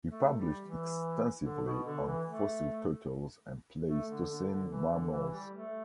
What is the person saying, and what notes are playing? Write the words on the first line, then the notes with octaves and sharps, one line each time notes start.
He published extensively on fossil turtles and Pleistocene mammals.
A3
G3
E3
D3
B2
D3
E3
A3
A3
D3
D3
D3
E3
D3
E3
G3
A3